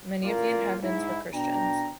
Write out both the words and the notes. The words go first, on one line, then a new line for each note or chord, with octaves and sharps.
Many of the inhabitants were Christians.
A1 A#2 A#3 F4 A#4 D5
G#2 E4
B2 D4 G5 A#5